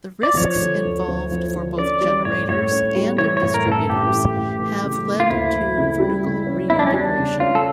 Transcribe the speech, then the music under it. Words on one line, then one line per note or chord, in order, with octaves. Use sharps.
The risks involved for both generators and distributors have led to vertical re-integration.
D5
F3 C#5
D3
D2
D2
F3
D3
C#4 D5
G3 D5
A2 C#5
A2 C#5
C#4
G3
E3 C#5
C#5
A2
A#4
A1
A4
A1 G4
E3
A2
E3
C#3
A#3
F4
D2 E4
E3
C#3
G3
C#3
C#4
E2 E4
D4
C#4
G3 D4
C#3
C#4 F4
A4